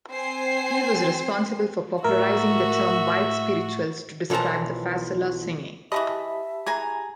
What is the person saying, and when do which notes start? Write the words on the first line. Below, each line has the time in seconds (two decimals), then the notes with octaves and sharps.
He was responsible for popularizing the term "white spirituals" to describe the "fasola" singing.
0.10 C4 C5 G#5 C7
2.04 A2 F#4 A#4 E5
4.30 B1 E3 F3 A#4 A5
5.92 E3 G4 G#4 D#5 E5 A5 B5
6.66 E3 G#4 G#5 A#5